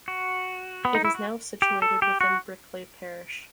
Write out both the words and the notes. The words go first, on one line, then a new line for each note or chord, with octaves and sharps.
It is now situated within Bickleigh parish.
F#4
B3
D#4
E4
F#4
G4
A4
G4
F#4